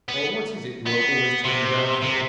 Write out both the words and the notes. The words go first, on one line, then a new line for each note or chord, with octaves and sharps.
'Or what is it you are always turning round for?'
B3
B3
C3
C3